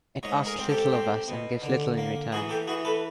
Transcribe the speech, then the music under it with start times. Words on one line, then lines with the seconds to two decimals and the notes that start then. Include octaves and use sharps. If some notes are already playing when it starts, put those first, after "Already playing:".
It asks little of us, and gives little in return.
0.23 G#2 C#5 D#5
0.46 G#4 A#4
0.58 C4
0.69 G4 A4
0.92 C4
1.28 B2
1.62 D3
1.97 A#3
2.32 E3 F#4 G#4
2.49 G4 A4
2.67 E3 F#4 G#4
2.85 A4 B4